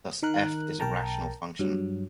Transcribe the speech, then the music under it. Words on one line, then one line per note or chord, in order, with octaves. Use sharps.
Thus "f" is a rational function.
D#3 A#4 F#6
B1 A#4 G5 A5 A#5
G2 F#3